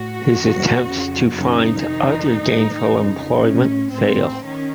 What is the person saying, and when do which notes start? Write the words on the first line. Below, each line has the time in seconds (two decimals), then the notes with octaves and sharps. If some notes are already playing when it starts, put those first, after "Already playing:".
His attempts to find other gainful employment fail.
Already playing: A2 F#4
0.31 F#2 D#3
0.82 F2 C#3
1.33 F#2 C#3 D#4
1.85 F2 C3 D#3
2.37 A2
2.89 F2 C#3
3.40 A2 C#4
3.91 A2 C4
4.43 D#3 C#4